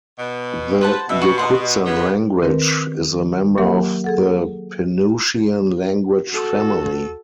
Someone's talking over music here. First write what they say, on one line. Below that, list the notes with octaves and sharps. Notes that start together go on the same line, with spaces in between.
The Yokutsan language is a member of the Penutian language family.
B2
B4 C5 F#5 A5
B2 E5
F#4
D#5 F#5 C6
C#3 B3
D#3 C4 A#4 B4
F#3 A#3 G4 A#4 E5 F#5
G#4 A4 F#5
F#4 A4